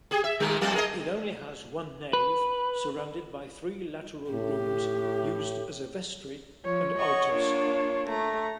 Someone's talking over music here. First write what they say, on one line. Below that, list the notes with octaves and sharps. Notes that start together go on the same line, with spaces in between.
It only has one nave, surrounded by three lateral rooms used as a vestry and altars.
G4 G#4
E5
A#2 D#3 G3
F2 F#3 A#3
G#4 A#4 D#5
B4
A2 G4
F3 C#5
D#5 F#5 C#6
A#3 D4 F4
A3 A#5